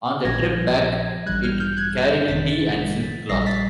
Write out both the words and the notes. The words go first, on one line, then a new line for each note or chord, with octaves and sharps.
On the trip back it carried tea and silk cloth.
A#1 A#2 F3 G#6 A#6
A1 G2 E3 G3 F#6 G#6
F6 G6
F6 G6
F#6 G#6
A#6
G6 A6
G1 F2 C3 D#3 A6 B6
A#1 A#2 G3 A#6 C7
A6 B6